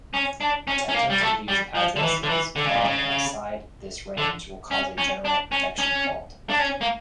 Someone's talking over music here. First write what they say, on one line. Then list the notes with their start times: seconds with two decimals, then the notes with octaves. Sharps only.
Attempting to use addresses falling outside this range will cause a general protection fault.
0.14 C#4
0.41 D4
0.68 C#4
0.89 C#4
0.94 A#3
1.10 G3
1.21 A3
1.48 G3
1.75 F3
1.96 D3
2.02 E3
2.23 D3
2.29 E3
2.56 D3
2.65 C#3
2.75 A#2
2.84 C#3
4.18 D3
4.71 C#4
4.98 C#4
5.25 D4
5.52 C#4
5.79 C#4
6.50 D4
6.59 C#4
6.81 A#3